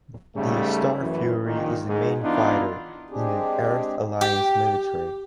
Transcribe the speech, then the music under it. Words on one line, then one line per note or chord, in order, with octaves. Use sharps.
The Starfury is the main fighter in the Earth-Alliance military.
G#2 C#3 G3 A3
A1 F#2 E3
A#1 A#2 D#3
C#2 G#2 G#3
E3 B3 D4 D#4 F4
G#3 C4 D4 G4 G#4
G4